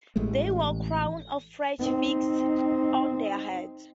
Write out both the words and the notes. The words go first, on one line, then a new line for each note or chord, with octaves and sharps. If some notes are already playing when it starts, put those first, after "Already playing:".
They wore crowns of fresh figs on their heads.
A1 E3 G#3 A3
C4 D#4